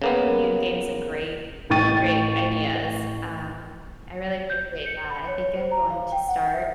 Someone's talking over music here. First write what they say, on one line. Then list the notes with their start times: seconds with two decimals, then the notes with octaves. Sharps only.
you gave me some great really great ideas. Um, I really appreciate that. I think I'm going to start
0.02 C#3 A#3 B3
1.70 A1 G5 C#6 A6 D#7
4.50 G6
4.86 C#7
5.10 B5
5.28 C#5
5.55 C5
5.71 A#5
5.90 F5
6.12 G5
6.28 F#5
6.54 E5